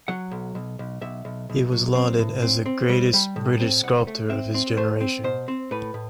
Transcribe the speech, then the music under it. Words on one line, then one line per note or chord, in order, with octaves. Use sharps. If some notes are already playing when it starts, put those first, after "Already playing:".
He was lauded as the greatest British sculptor of his generation.
F#3 F#5
B1
B1
B1
B1 E5
B1
B1
F#3
C4
A2
C4
C4
G3
G3
A2
C4
C2 F#5
A3
C4 E5
C4
A3 C5
C4
B2 C5
C4
A2 B4
A2